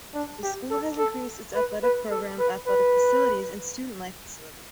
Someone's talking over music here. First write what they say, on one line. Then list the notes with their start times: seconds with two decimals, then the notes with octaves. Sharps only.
The school has increased its athletic program, athletic facilities, and student life facilities.
0.14 D4
0.43 G4
0.70 A4
0.98 A4
1.55 B4
1.83 B4
2.11 A4
2.39 B4
2.67 B4